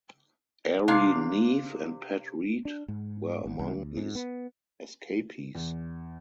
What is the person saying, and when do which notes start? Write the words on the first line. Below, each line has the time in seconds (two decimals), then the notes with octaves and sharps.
Airey Neave and Pat Reid were among these escapees.
0.88 C3 A#3 D4 F5
2.65 D4
2.88 G#2
3.46 G#1
3.59 C2
3.74 D2
3.97 G#2
4.15 B3
5.55 E2